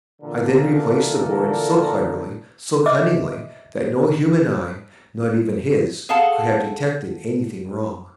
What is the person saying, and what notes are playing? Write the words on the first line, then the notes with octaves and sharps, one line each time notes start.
I then replaced the boards so cleverly, so cunningly, that no human eye--not even his--could have detected any thing wrong.
A#2 D3 E3 D4 A4 A#4
D#5 E5 D6
G#4 A4 F5 F#5 A5